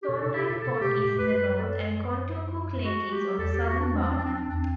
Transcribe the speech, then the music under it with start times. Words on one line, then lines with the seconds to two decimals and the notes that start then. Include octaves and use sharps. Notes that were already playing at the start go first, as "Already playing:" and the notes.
Thorndike Pond is in the north, and Contoocook Lake is on the southern boundary.
0.03 G4
0.08 B2 A4
0.21 C3 A4
0.36 G4
0.49 B2 A4
0.63 C3 A4
0.81 B2 G4
1.00 A2 G4
1.18 F#2 B4
1.32 B4
1.45 B4
1.59 A4
2.84 F#4
3.11 G4
3.38 E2 A4
3.52 G4
3.66 F#4
3.80 D4
3.93 C4
4.02 D4
4.09 C4
4.17 D4
4.26 C4
4.33 D4
4.42 C4
4.48 E2 D4
4.56 C4